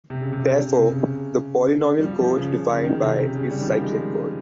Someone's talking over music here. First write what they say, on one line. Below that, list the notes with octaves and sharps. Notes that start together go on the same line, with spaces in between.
Therefore, the polynomial code defined by is a cyclic code.
C3
C#3
C3
C3
C#3
G3
F3
F3
C#3
C#3
C#3
D#3
C#3
C3
C#3
C#3
G3
D#3
F3
G#3